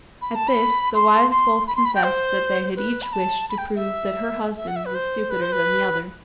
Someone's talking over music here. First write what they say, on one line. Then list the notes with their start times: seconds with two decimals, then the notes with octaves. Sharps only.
At this the wives both confessed that they had each wished to prove that her husband was stupider than the other.
0.22 B5
0.35 A5
0.48 B5
0.95 C6
1.31 C6
1.67 B5
1.76 C6
1.85 B5
1.95 G5
2.04 C5
2.76 B4
3.02 B5
3.13 A5
3.49 B5
3.58 G5
3.76 E5
4.57 E5
4.68 F#5
4.76 E5
4.86 B4
4.95 C5
5.30 B4
5.42 C5
5.52 B4